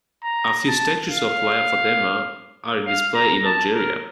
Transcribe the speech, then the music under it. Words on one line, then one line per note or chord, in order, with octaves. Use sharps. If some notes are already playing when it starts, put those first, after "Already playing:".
A few statues of Lalla Fatma are in display in Algeria.
A#5
A5
F5
F5
A#5
A5
A#4